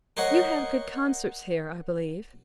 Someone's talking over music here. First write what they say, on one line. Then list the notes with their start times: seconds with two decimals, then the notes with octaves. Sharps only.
'You have good concerts here, I believe.'
0.17 A#4 C5 C#5 D#5 F#5